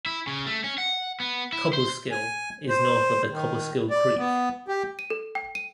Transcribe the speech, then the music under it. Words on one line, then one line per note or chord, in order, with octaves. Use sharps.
Cobleskill is north of the Cobleskill Creek.
E4
C#3
A3
C#4
F#5
B3
E4
C5
G#5
C5
D#3
D5
B3
G4
D#7
A4
G5
D#7